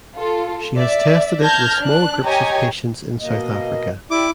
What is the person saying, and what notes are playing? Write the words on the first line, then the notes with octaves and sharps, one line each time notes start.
She has tested it with small groups of patients in South Africa.
F4 A4
D5 E5
A5 F6 G6 G#6 A#6
D4 F#6
G4 C#5 D#5 G5 G#5 A#5
B2 A#3 D#5
E4 G4 D5 D6